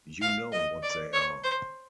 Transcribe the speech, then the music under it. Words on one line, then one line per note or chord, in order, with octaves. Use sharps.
You know what they are.
F5
D#5
D5
C#5
C5